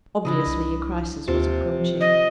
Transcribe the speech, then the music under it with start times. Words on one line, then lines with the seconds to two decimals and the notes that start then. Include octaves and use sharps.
Obviously, a crisis was approaching.
0.25 C#3 D4 E4 D#5
0.47 C2
1.28 D#2 C3 F4 A5
1.80 F3
2.01 D#5